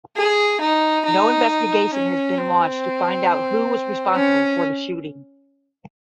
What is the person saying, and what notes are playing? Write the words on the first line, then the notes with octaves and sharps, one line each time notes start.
No investigation has been launched to find out who was responsible for the shooting.
G#4
D#4
D#4
C#4
C4
C#4